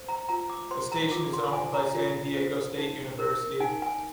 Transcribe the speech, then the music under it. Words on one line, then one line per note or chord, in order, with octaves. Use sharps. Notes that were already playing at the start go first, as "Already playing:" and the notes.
The station is owned by San Diego State University.
Already playing: C5
A#5
F4 A#5
D6
C5 C6
A#5
F4 D6
C6
C5 G#5
A#5
F4
C5
D#4
A#4
D#4 G#5
G#5